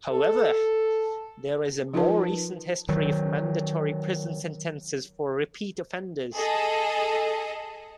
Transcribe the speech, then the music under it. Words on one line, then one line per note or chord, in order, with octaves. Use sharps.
However, there is a more recent history of mandatory prison sentences for repeat offenders.
A4
F3 D#4 F4 A#4 B4 A5
D#3 F#3
G#4 A4 D#5